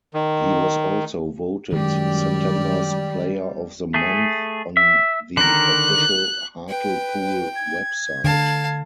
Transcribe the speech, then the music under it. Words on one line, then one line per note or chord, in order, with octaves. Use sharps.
He was also voted September's Player of the Month on the official Hartlepool website.
D#3
F#2 D#3 G3 G#3 G4 D5
A3 G#4
E5
D3 D#3 A#4 F#6
B4 G5
G#6
D3 F5 A5